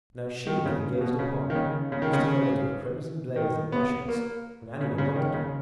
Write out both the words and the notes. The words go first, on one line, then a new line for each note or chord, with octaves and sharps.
Now she that he gazed upon used to go into a crimson blaze of blushes when any one looked at her.
D#3
C#3
B2
C#3
D#3
C#3
C#3
D#3
C#3
D#3
B3
A#3
C#3
C#3
D#3
C#3